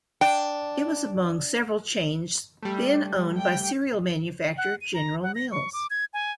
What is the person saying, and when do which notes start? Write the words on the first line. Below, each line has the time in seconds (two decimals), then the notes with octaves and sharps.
It was among several chains then owned by cereal manufacturer General Mills.
0.21 D4 G5
2.63 G3 A3
3.37 G5
4.57 F#5
4.81 D#7
4.94 A#5
5.23 F#5
5.35 A#6
5.51 C#6
5.73 D6
5.90 G#6
6.14 G#5